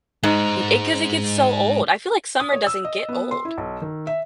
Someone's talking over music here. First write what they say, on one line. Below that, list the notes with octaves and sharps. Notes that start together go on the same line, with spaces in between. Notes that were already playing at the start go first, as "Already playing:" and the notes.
It 'cause it gets so old. I feel like summer doesn't get old.
G#2 G#3 D#4
D#6
C#5
E6
D#5
B3
C6
E4
B1
D#3
E5